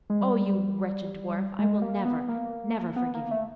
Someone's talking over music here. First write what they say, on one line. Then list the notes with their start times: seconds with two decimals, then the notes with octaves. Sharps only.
Oh, you wretched dwarf, I will never, never forgive you!'
0.10 G#3
0.21 G3
1.59 G#3
1.82 A#3
2.05 B3
2.28 A#3
2.96 B3
3.14 A#3
3.31 A3